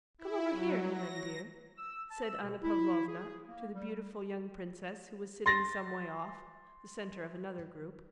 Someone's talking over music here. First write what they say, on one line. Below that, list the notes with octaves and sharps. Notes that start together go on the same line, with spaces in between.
"Come over here, Helene, dear," said Anna Pavlovna to the beautiful young princess who was sitting some way off, the center of another group.
E4
F#3
A#6
E6
A5
E6
B2
E4
G#4
A#3
G3
G3
C6 A6 A#6